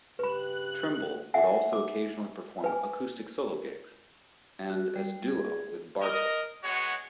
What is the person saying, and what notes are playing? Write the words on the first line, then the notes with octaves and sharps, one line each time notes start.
Trimble would also occasionally perform acoustic solo gigs and as duo with Bartup.
G2 C#3 G4 B4 B5 F#6
E5 F#5 G#5
D6
B4 G#5
F#4
G3
G#4
A#4 D#5
G#3 B3 F#4 C#5